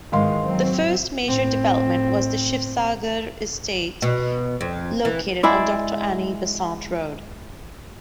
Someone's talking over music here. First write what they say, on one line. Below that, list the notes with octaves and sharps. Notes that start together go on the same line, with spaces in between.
The first major development was the Shivsagar Estate located on Doctor Annie Besant Road.
G#2 D#3 E3 G#3 F5 C6
F#3 C4
A2 C4
B2
F2
E3
G#3 E4 D5